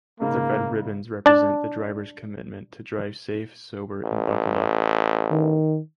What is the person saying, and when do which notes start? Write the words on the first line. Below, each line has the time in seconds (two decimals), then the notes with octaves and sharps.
The red ribbons represent the drivers' commitment to drive safe, sober and buckled up.
0.20 G#2 C#3 A#3
1.26 D4 A5
4.04 A1
5.31 D#3